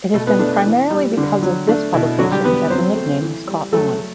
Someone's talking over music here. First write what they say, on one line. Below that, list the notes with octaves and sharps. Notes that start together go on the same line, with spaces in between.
It has been primarily because of this publication that the nickname has caught on.
B2 A3 A4
B3 B4
A3 D4
E3
G3
D3
F#3
A3 D4
B2 E4
D3 F#3 F#4
G3 G4
G3 B3 B4
F#3 C4 C5
A3
E3
G3
F#3 A3 A4
A3